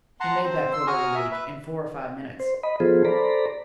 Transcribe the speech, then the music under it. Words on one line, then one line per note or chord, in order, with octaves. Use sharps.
He made that quarter of a league in four or five minutes.
F#5 A5 A#5 C6
C4 C5
C6 E6
F#4 G#5 A#5 C#6 D#6 F6
E5
B4 E5
C5
D#5 B5
F3 B3 F4 G#4 A4 C5
A4 C5 D5 A#5 B5